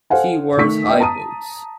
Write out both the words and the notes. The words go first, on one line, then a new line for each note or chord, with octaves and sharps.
She wears high boots.
A4 C5 F5 F#5 G#5
D#3 A3 C#6 B6
B3 B4 D#5 G5
A5 A#5 D#6 D#7